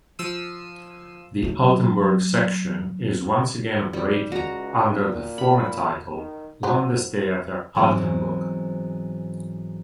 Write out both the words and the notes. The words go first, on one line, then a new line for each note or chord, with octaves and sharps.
The Altenburg section is once again operating under the former title "Landestheater Altenburg".
F3 E6 C7 D#7
F#3 A3
G3
C#2 F#4 A#5
A#2
B5
D#3
F#3 B4 C5
G#2 E3 F#3 G#3 B3 C4